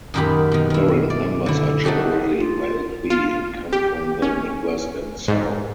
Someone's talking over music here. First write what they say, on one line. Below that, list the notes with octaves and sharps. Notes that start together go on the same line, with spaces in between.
Current members are generally wealthy and come from the Midwest and South.
F#2 A#2 D#3 D#4 G4 B5
B2 D#3
D#3 E4
D5
D3 E4
A3 D#4 F#4 G4 A4
F4
F4
G4
C#4
G#2